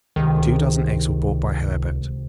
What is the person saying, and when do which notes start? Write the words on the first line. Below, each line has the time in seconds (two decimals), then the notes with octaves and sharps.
Two dozen eggs were brought by Herbert.
0.16 C#2 C3 D#3 G#3